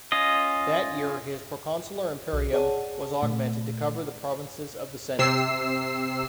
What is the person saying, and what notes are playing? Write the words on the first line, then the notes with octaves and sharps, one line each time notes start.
That year his proconsular imperium was augmented to cover the provinces of the Senate.
C#4 F4 D#5
B1
G#4 C#5 D5 F#5 A5
A#2 A3
C3 E6 C7